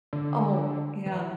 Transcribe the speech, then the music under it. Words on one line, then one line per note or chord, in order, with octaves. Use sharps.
Oh, yeah.
D3
E3